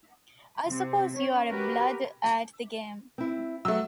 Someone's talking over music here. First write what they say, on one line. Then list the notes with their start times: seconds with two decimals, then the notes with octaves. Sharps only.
I suppose you are a blood at the game?
0.67 C3 C4
1.16 C#4 C#5
1.50 F#4 G4 A#4 B4
3.18 C4 E4
3.65 F#3 A3 E6